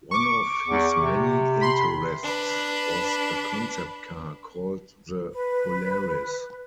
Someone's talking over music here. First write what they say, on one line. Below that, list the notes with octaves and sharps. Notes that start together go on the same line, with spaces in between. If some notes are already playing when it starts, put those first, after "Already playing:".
One of his many interests was a concept car called the Polaris.
C#6 D6
E2
C3
B5 C6
D4 B4
B4